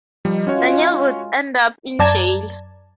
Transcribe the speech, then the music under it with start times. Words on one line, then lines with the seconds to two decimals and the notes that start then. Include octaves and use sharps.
Daniel would end up in jail.
0.25 D#3 F3 G3
0.47 G#3 C#4 F4 F#4 C#5
1.99 F#2 D5 A5 A#5 G#6 E7